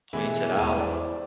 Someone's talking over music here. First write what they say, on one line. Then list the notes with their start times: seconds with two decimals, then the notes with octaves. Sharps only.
points it out,
0.13 B2 E3 G#3 E4 G4
0.56 E1 E2 D#7
0.79 C5 D5 D6